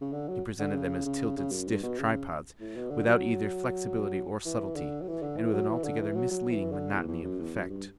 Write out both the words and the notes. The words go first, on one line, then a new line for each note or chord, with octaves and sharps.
He presented them as tilted, stiff tripods, without either flexibility or subtlety, and with an altogether misleading monotony of effect.
C#3
D3
F#3
D3
C#3
C#3
C#3
F#2
G2
B2
C#3
A2
B2
D3
F#3
E3
D3
F#3
E3
D3
E3
F#3
E3
D3
E3
F#3
F#3
E3
D3
E2
E2
F#2
E2
F#2
G2